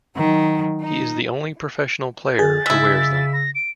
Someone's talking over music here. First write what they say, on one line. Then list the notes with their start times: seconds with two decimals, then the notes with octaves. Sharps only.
He is the only professional player who wears them.
0.17 D#3 F#3
0.81 D#4
2.27 G6
2.39 D3 G#4 A6
2.66 C#3 G#3 E4 E6 B6
3.33 A#6
3.55 D7